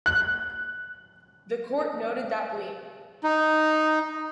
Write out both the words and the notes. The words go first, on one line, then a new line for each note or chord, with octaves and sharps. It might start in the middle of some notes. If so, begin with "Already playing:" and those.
The court noted that Bleem!
F#6
D#4